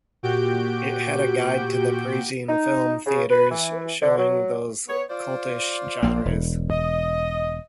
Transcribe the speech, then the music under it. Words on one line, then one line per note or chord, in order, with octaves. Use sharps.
It had a guide to the Parisian film theatres showing those cultish genres.
A#2 F#4 G4 G6 D7
D#4
C#3
B4
E3
D3
F#3
B3 C#5
F4 C5 D5
A#1 A#3
E1
D#5